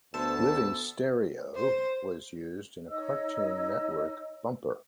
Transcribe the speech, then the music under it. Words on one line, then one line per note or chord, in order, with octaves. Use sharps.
"Living Stereo" was used in a Cartoon Network bumper.
D2 B3 A4 C5 A5 E6
C5
D#4 C#5 D#5 E6